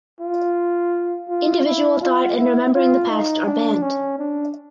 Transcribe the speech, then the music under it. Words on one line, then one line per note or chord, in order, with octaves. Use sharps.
Individual thought and remembering the past are banned.
F4
F4
E4
F4
E4
F4
D#4
D4
C#4
D4